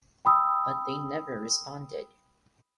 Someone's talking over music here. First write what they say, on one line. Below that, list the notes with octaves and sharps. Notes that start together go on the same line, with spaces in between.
But they never responded.
G5 B5 D#6 E6